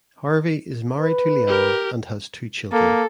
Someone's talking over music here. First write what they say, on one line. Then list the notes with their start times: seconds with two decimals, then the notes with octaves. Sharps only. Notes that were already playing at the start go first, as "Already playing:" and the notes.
Harvey is married to Leanne and has two children.
1.00 B4
1.47 G4 A#4
2.72 A#3 A4